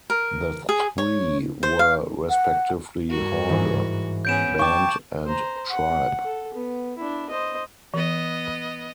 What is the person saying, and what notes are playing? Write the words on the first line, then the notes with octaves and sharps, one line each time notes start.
The three were respectively 'horde,' 'band', and 'tribe'.
A#4
G#4
C#5
C5
F5
F#5
G2 F#4 A#4
G#2 E3
B3 C#4 G#4 G6 D7 E7
F5 G5 A5 C#6 D6
C5 A#5
F#5
A4
B3
D4 E4
C5 D#5
E3 B3 D#5